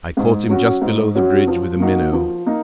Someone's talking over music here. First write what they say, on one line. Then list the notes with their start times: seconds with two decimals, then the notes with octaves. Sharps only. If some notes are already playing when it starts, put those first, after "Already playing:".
I caught him just below the bridge with a minnow.
0.17 G#2
0.49 F#3 C#4 F#4
0.81 G#2
1.15 F#3 C#4 F#4
1.47 F3
1.80 A#3 D#4 F#4
2.13 F3
2.46 A#3 D#4